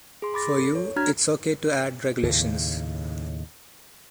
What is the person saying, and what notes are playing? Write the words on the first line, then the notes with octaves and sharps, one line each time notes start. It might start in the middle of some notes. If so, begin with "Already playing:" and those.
For you, it’s ok to add regulations.
G#4 C6
B5 D6 A6 A#6
A4
C#5
D4 F#4 A#5 F6 G#6
D#2 A2 C#3